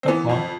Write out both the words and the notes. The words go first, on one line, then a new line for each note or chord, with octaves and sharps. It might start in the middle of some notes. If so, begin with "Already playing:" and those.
Oh, cool.
C4
E3 B3
F2